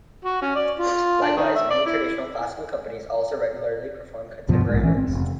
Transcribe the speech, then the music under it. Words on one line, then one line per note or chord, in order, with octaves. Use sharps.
Likewise, many traditionally "classical" companies also regularly perform contemporary works.
F#4
C#4
D5
F4
D4
D#3
E5
D5
E4
C#2 G2 B2 F3
A#1 G#2
E3 C#4
G#1 C4
F1